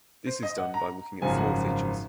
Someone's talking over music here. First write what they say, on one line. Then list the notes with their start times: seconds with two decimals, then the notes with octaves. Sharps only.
This is done by looking at four features.
0.27 C5
0.43 D#5
0.58 F#5
0.74 A#5
1.21 G#1 F#2 C#3 F3 G#5
1.38 F#5